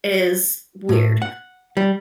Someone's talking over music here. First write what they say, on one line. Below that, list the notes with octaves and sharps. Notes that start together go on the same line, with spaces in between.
is weird,
A2
F#5
G3